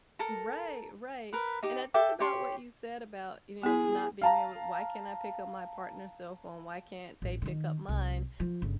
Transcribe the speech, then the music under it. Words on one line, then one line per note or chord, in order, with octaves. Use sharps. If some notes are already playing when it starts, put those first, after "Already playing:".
Right, right, and I think about what you said about, you know, not being able why can't I pick up my partner's cell phone, why can't they pick up mine?
A4 A#4 A#5
A#4 B4
D#4 G4
A4 E5 G5 D6
G4 C#5 C6
B3 E4 G#4
F5 A5 A#5
A1
D3 D#3
C2
F3
G1 C#3